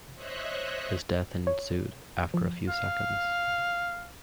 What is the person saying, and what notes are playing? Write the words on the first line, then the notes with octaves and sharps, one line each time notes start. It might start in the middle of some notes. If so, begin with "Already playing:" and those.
His death ensued after a few seconds.
C5 C#5 D#5 E5 F#6
C#5
F3
F5